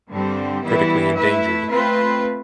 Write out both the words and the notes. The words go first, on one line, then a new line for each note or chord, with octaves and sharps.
Critically endangered.
G2 D3 G3 C4
E3 G3 B3 E4
A3 E4 B4 E5
A3 C4 F4 B4